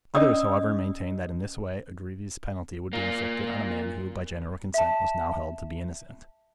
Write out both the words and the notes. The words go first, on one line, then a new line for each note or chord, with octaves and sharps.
Others, however, maintained that in this way a grievous penalty would be inflicted on a man who, by general consent, was now held to be innocent.
C#4 D5 D#5 D#6 E6
A#3 F4
E5 A5